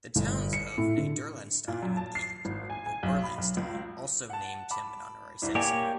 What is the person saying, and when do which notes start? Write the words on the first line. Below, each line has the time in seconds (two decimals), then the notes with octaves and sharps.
The towns of Niederlahnstein and Oberlahnstein also named him an honorary citizen.
0.16 G1
0.53 C#7
0.78 A2
0.97 D3
1.68 A#2
1.82 F#2
1.97 A5
2.15 C7
2.45 G#1
2.70 G#5
2.86 G#5
3.03 B1
3.24 B5
3.38 B1
3.57 C#2
4.30 F#5 A5
4.71 A5 B5 D6
5.42 C2 D4 E4
5.55 A#3 G4 C#5 D5 G#5 D6